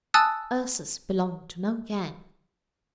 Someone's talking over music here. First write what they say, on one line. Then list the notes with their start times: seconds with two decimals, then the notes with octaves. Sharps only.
Ursus belonged to no gang.
0.14 G#5 A5 D#6 E6 F#6 A6